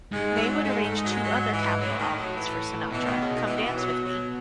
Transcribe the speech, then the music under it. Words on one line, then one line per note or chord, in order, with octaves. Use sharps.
May would arrange two other Capitol albums for Sinatra, Come Dance with Me!
G#2 G#3
E3
F#3
A3
G#3
A3
D#4
F#3
G#3
F#3
E3
A2 F#3
D#3
F#3
E3
B2 E3
D#3
C#3
D#3
E3
D#3
E3
F#3
F#3